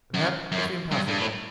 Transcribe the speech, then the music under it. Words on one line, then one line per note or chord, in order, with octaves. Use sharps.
"That is impossible."
F#2
F#2
G2
G2
A2